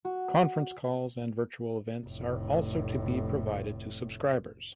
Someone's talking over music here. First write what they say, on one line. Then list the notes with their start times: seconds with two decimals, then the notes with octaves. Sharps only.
Conference calls and virtual events are also to be provided to subscribers.
0.05 F#4
2.07 F1 A2